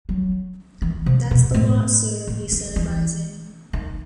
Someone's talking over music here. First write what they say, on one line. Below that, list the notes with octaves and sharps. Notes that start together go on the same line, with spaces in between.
"That's the lot, sir," he said, rising.
F#3
E3
C3
B2
A2
A2
D#3
E3
D#3